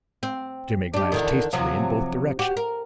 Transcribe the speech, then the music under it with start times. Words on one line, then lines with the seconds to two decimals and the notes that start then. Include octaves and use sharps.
Jimmy glanced hastily in both directions.
0.23 C4
0.94 D4 G4
1.12 E2 D3 D#3
1.53 C3 F3 F#3
2.39 F#4 G4
2.57 A#4